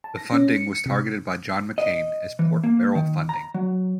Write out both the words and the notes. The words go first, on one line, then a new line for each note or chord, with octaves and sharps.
The funding was targeted by John McCain as pork-barrel-funding.
A5
A#6
C#4
C#7
C3
D#5
E3
A#3
D#3
A#5
F#3